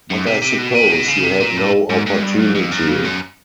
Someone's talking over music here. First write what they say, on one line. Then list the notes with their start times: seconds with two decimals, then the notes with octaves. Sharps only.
But I suppose you had no opportunity.
0.10 F#2
0.26 C3
0.42 C3
0.58 B2
0.75 C3
0.92 B2
1.08 C#3
1.25 C3
1.40 A#2
1.57 A2
1.90 G#2
2.06 G#2
2.22 G2
2.39 F#2
2.55 F2
2.72 F#2
2.88 F2
3.05 F#2